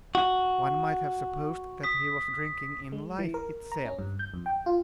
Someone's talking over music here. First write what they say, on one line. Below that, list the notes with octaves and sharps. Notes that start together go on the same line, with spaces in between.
One might have supposed that he was drinking in life itself.
F#4
D#6 B6
G#3
E3
A#4
A#5
C#4
G2
G6
F2
G5
F4